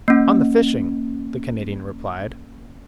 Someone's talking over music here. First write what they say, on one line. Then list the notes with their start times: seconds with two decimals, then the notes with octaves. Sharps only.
"On the fishing," the Canadian replied.
0.08 A#3 C#4